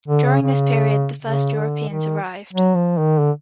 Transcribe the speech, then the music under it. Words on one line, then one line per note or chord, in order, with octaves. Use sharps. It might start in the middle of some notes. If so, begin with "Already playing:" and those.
During this period the first Europeans arrived.
D3
C#3
C#3
C#3
D3
D#3
F#3
F3
D#3
D3